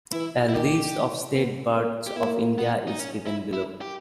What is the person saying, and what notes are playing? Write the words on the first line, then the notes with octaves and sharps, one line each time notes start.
A list of state birds of India is given below.
E3 E4
E4
D#3 G4
B3
A#3
G4
A#3 E4
B3
D#4
C#4
E4
E4
G4